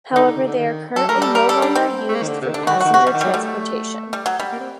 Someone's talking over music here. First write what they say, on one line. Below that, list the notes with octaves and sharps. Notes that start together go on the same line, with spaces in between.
However, they are currently no longer used for passenger transportation.
D#3
D3 D#4
D3
C3
D3
D#3
F#3 A4
A3 A#4
G3
A4
A#4
A4
D4
C4
A3
A#3
D#3
D3
C3
D#3
D3 D4
D#3
F#4
F#3
D#3 F#4
C3 F#4
G3
D#3
F#3 G3
G3 A3
G3
F#3
G3
A#3
C4